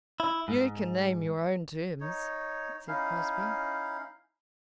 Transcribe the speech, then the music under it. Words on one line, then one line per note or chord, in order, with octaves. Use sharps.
"You can name your own terms," said Crosbie.
E4
G#2
D#4 C#5
C#4 D#4 E4 F5